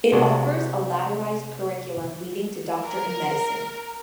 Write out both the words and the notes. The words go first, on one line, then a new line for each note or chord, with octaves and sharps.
It offers a ladderized curriculum leading to Doctor in Medicine.
C3 G#3 D4 F#4
A#4